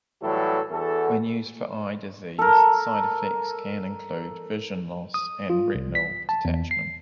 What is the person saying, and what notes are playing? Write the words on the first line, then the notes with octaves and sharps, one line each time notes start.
When used for eye disease side effects can include vision loss and retinal detachment.
A2 E3 F#3 G3 A4
E2 F#4 A4
A4 A#4
D#6
F4
C2
B6
A5
E2
C7